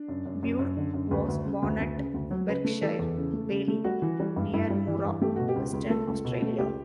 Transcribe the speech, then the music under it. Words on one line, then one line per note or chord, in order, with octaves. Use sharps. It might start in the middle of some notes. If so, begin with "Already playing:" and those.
Burke was born at Berkshire Valley, near Moora, Western Australia.
Already playing: D4
F#2
F#2
F#2
F#2
D3
F#2
D2 B4
D2
C#3
D2
D2
C#3
D2
F#3
C#3 B4
A3
E3 A4
E2
C#3
A3
C#3
A3
G3 F#4
E3
G3
G2
G2 E4
G3
E3
G2
A3 G4
B2 F#4
G4
C#2
C#2
A3 A4
C#2
B2
A3
C#2 G4